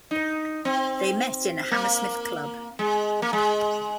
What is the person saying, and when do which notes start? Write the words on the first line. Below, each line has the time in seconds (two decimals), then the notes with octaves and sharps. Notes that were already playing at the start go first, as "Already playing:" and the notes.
They met in a Hammersmith club.
0.11 D#4
0.65 C4
1.71 A#3
2.79 G#3
3.22 A#3
3.33 G#3